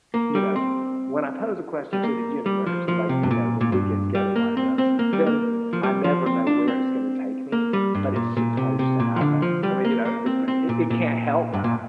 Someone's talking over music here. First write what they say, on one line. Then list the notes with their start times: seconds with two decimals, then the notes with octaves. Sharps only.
you know, when I pose a question to the universe, like, you know, when we get together like this, then I never know where it's gonna take me, but it's supposed to happen. I mean, you know, tha p i it can't help but
0.14 A#3
0.35 G3
0.56 C4
1.93 G3
2.03 A#3
2.46 G3
2.66 F3
2.88 F3
3.09 C3
3.23 G2
3.31 A#2
3.61 A#2
3.72 G2
4.15 G3
4.36 A#3
4.57 C4
4.78 C4
4.99 A#3
5.13 G3
5.27 A#3
5.73 F3
5.83 G3
6.04 F3
6.26 C4
6.47 D4
6.68 C4
7.52 A#3
7.73 G3
7.95 G2
8.16 A#2
8.37 A#2
8.57 C3
8.79 C3
9.00 A#2
9.16 F3
9.21 D3
9.42 F3
9.63 G3
9.85 A#3
10.05 A#3
10.26 C4
10.48 C4
10.69 A#2
10.90 A#2
11.53 G2
11.64 A#2